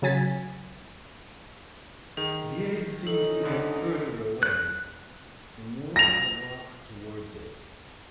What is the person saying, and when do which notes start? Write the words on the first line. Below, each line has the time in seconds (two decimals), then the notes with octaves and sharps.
The egg seems to get further away the more I walk towards it.
0.02 C#3 F#3 G#5 A6 B6
2.17 D#3 G#4
3.07 C#4 D#4 A4
3.43 D2 D3
4.43 F#6
5.96 A#6 F7